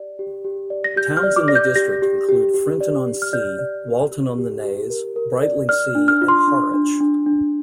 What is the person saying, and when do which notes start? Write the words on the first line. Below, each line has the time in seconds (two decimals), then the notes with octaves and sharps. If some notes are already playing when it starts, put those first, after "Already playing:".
Towns in the district include Frinton-on-Sea, Walton-on-the-Naze, Brightlingsea and Harwich.
Already playing: G4 D5
0.19 G4
0.44 G4
0.70 D5
0.84 A#6
0.96 G4 G6
1.17 F6
1.23 D5
1.36 D6
1.48 D5 A#6
1.55 G6
1.76 G4 A#6
2.02 G4
2.29 G4
2.54 G4
2.81 D5
3.06 G4
3.22 F6
3.33 D5 G6
3.59 D5
3.85 G4
4.11 G4
4.38 G4
4.64 G4
4.90 A#4
5.16 A#4
5.43 D5
5.69 D5 F6
5.95 D4
6.08 F6
6.21 F4
6.28 C6
6.48 D4
6.74 D4
7.01 D4
7.26 D4